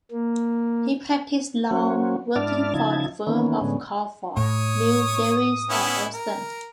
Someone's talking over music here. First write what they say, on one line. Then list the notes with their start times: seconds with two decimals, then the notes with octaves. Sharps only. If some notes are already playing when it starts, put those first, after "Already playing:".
He practised law, working for the firm of Crawford, Mill Davies and Elston.
0.11 A#3
1.71 F#3 A#3 C4 C#4 F#4
2.36 G#2 D4 E4 D5 A5 F6
2.74 C#3 F3 D#4 E4 A5 G#6
3.27 D#3 E3 A#3 B3 C#4
3.61 A2 D3 G#3 B3 C#4
4.37 A2 C#5 D#6
5.69 B3 C#4 E4
6.13 A#4